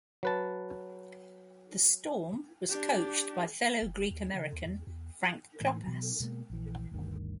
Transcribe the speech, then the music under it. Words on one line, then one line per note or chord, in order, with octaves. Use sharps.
The Storm was coached by fellow Greek-American Frank Klopas.
F#3 B4 A5
D4 G4
F#1
D#2
C#3
D#2
E2
E2
A2 E3 A#3
B2 F#3
B2 G#3 A#3
A#1 E3
G1 D2 G2 D#3